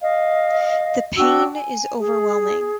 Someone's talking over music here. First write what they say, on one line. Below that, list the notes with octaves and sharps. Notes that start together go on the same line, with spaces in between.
The pain is overwhelming.
D#5 F5
D4 F#4 G5 E6
G#5
G#4